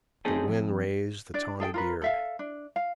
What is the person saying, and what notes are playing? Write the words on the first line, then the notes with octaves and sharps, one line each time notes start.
The wind raised the tawny beard.
A3 C4 C#4 D#4 G#4 A4
F2
D4 D5
G#4 A4 E5 G5
F4 A#4 B4
A4 E5 F5
D4
F5